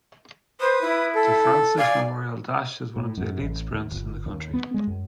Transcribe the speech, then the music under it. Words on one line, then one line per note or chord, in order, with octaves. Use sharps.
De Francis Memorial Dash is one of the elite sprints in the country.
B4 C5 D#6
E4
A4
D5 F5 G#5
A2
F#2
A1
D#2
G1
D#2
B3
G#3
F#2